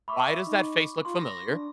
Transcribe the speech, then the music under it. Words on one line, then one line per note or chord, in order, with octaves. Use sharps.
"Why does that face look familiar?"
E5 B5 C#6 D6
D#4
F4 C6
A#6
D4